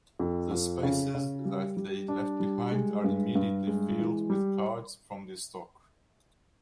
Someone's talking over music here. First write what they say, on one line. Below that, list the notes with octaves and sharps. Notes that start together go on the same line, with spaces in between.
The spaces that they left behind are immediately filled with cards from the stock.
F2
F2
C#3
C#3
G3
G3
D4
G3
G#3
G2
G2
G#3
E3
G3